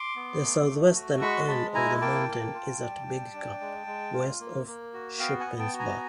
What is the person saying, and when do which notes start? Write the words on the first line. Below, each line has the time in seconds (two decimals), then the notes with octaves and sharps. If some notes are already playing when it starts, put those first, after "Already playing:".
The southwestern end of the mountain is at Big Gap, west of Shippensburg.
Already playing: C6 D6
0.16 B3
0.42 A3
0.68 A3
0.95 F#4
1.21 G#3 B5 C#6
1.48 G#3 A5 B5
1.74 E4 G#5 A#5
2.01 A#3 G5 A5
2.28 A#3
2.54 F4
2.81 G3
3.07 G3
3.34 D4
3.61 G#3
3.87 G#3
4.13 F4
4.40 A#3
4.67 A#3
4.94 F#4
5.19 B3 F5 G5
5.40 F#5 G#5
5.46 B3
5.60 G5 A5
5.73 F#4
5.79 G#5 A#5